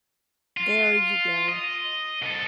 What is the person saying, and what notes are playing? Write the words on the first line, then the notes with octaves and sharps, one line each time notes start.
There you go.
F4
D#5
C2 A4